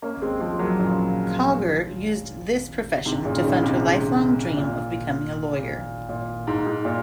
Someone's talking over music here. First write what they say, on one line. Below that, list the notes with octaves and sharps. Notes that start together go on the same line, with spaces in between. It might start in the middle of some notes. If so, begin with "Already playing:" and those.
Kauger used this profession to fund her lifelong dream of becoming a lawyer.
A#3 C#4
G#3 C4
F3 G#3
F#3 A#3
A#2 C#3
G#2 C3
A#2 C#3
D#3
A#2 C#3
G#2 C3
G#2
A#2
A#2
G#2
G#2
A#2